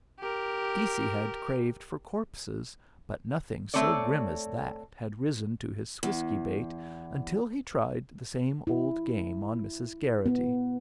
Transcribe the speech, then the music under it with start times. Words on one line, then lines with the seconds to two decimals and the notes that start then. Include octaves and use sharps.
Deasey had craved for corpses, but nothing so grim as that had risen to his whisky-bait until he tried the same old game on Mrs. Geraghty.
0.19 G4 A#4
3.74 A3 C4 C#5 D5
6.03 E2
8.67 E4
10.26 B3